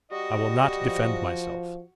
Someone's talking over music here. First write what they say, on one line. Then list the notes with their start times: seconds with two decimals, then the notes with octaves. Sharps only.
I will not defend myself.
0.11 G3 F#4 D#5
0.80 F3